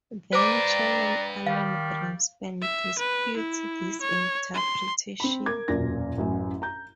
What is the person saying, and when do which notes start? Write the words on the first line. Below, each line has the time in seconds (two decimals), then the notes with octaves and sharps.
Then-Chairman Alan Greenspan disputes this interpretation.
0.33 B4 C5 D5 G5 A#5 D6
1.47 D#3 G3 F5
2.62 E5
2.99 B4
3.37 E4
4.01 C#5
4.54 C6
5.20 C4 B5
5.46 A#4 D6 G#6
5.68 E1 F#2 A#2 A#3 A#6
6.17 A1 F#2 G#5
6.62 A#5 G6